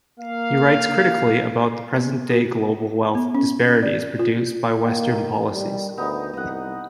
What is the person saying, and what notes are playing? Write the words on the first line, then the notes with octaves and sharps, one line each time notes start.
He writes critically about the present-day global wealth disparities produced by Western policies.
A#3 F5
B3
F#4
B3
C#4
D5
F4
D#3 A#3
G3
D2 B3 D#4
C2 D#5 F#5